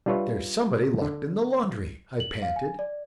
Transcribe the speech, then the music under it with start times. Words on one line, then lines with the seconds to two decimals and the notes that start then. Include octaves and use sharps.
"There's somebody locked in the laundry," I panted.
0.06 G3 D4 F4 B4 C#5 E5
1.02 D3
2.20 F#7
2.42 F5
2.56 G#5
2.79 D5